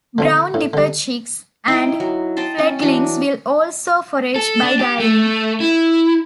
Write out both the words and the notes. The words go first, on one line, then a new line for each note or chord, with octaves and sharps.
Brown dipper chicks and fledglings will also forage by diving.
D3 F3 C4
A2
D3 G3
D#4 E4 G5
F#3
D#5 G5 A5 C6
C#4
E3 F#3 D4
A4
D4
G4
A3
E4